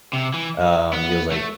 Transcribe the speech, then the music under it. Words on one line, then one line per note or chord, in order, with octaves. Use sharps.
um, he was, like
C3
E3
B3
A3